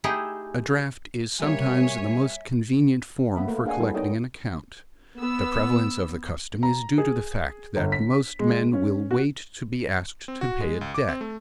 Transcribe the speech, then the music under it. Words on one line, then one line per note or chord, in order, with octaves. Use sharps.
A draft is sometimes the most convenient form for collecting an account. The prevalence of the custom is due to the fact that most men will wait to be asked to pay a debt.
A3 D#4 E4 G4 G#4
G3 A#3 C#5 E5 G#5
A#3 B3 B4 E5 B5
A3 A#3 A#4
D4 G#4 A#4 F5 F#5 G#5
G3 B3 D#4 E4 A4
B3 D#4 A#4 C#5 D#5 G5
B3 E6
A#5
G#4
G1
B6
G#3
C#4
F#4
C4
F#4
G#3
C#2
D6
C4
A3